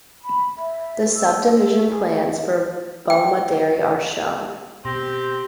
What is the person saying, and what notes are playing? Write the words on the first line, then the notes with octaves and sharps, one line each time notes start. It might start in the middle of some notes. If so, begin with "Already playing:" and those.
The subdivision plans for Bomaderry are shown.
B5
E5
E6
E5
G#4
G5
B2 C4 G4 C6 A#6